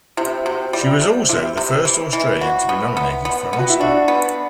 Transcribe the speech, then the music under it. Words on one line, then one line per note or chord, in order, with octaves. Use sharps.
She was also the first Australian to be nominated for an Oscar.
C3 E4
C3 F#4
G3 E4
C3
C3 E4
C3
E3
E3
F#4
B3
B3
B3
B3
F#4
E4
D4 F#4
B3